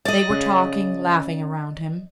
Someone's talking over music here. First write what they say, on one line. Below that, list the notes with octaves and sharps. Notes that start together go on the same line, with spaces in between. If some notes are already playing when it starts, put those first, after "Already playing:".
They were talking, laughing around him.
D5 D#5
C#3